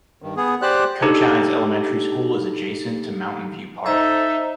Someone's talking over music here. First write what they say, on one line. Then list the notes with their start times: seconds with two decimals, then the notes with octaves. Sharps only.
Cochise Elementary School is adjacent to Mountain View Park.
0.22 G2 D#3
0.37 B3 G#4
0.62 G4 C5 D5 F#6
1.02 D4 D#4 G4 A4
3.86 D#4 A4 C5 D#5 E5 A#5